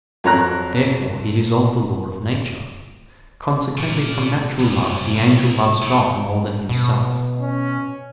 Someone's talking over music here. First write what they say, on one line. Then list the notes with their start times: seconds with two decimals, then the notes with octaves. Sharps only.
Therefore, it is of the law of nature. Consequently from natural love the angel loves God more than himself.
0.24 F2 F#3 C#5 A#5 F#6
3.77 A#2
4.59 C2 F#2
5.82 A2
6.69 B2
7.41 C#4